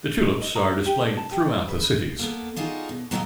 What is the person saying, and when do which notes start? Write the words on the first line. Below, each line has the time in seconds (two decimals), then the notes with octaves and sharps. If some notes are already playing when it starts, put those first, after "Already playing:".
The tulips are displayed throughout the cities.
0.25 D#4
0.42 D#5
0.56 A#5
0.68 F#4
0.86 G4
1.01 D4
1.17 A5
1.31 G4
1.47 D4
1.68 B4
2.19 A#3 B3 A4
2.56 D4 D#4 F4 F#4 G#4
2.89 B2
3.11 A2 F#3 C5 D5 D#5 F5